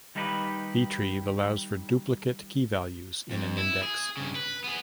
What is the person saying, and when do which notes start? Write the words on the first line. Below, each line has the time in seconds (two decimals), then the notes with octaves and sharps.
Btrieve allows for duplicate key values in an index.
0.15 D#3 G3 A#3 D#4 G4 B4
3.31 F2
3.58 E4
3.83 G#4
4.17 G2 C#3
4.35 B4
4.64 B3 G#4